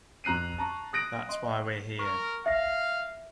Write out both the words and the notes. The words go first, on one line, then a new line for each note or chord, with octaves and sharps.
That's why we're here.
F2 A#5 F#6 C7 D#7
A5 A#5 C#6
D#6 F#6 A#6 D7
D#5 C6
A#4 C#6
E5 F5 A#6